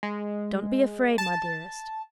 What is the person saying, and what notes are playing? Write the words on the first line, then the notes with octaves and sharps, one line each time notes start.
Don't be afraid, my dearest.
G#3
A5